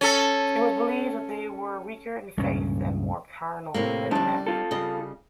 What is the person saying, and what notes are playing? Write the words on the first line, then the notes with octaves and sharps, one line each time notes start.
It was believed that they were weaker in faith and more carnal than men.
C#4 A4
C#2 G2 A#2 C#4
A2 C3 A#3
F2 G3 C#4 D4 A5
F4 A4
C#3 G3 D#5